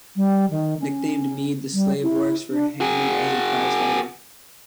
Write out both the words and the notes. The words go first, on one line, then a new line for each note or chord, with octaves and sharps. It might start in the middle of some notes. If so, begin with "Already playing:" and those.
Nicknamed "Mede", the slave works for Hammond as a prize-fighter.
G3
D#3
C#4
G3
E4
D4
F#4 G#4